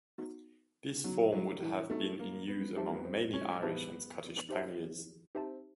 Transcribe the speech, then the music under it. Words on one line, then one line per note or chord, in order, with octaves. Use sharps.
This form would have been in use among many Irish and Scottish pioneers.
B3 D#4 F#4
F#3 B3 D#4 F#4
F#3
E3
A3 B3 D#4 F#4
A#3
B3
C4 D#4 G4 C5 E5 A5
A#3
B3
C4
C#4
B3 D#4 G4 C5 E5 A5
D#4 G4 C5 E5 A5
C4 D#4 G4 C5 E5 A5